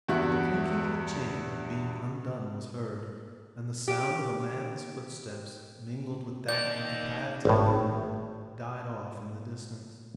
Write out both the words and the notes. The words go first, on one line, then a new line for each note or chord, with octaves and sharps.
The clinking of a chain being undone was heard, and the sound of a man's footsteps, mingled with that of the pads of an animal, died off in the distance.
E2 G2 F#4 E5 F#6
G4
A#3 D#4 D5 G6
G#1 A2